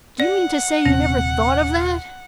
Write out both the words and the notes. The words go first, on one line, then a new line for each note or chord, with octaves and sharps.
Do you mean to say you never thought of that?
D5 F#5
D#1 C3 C4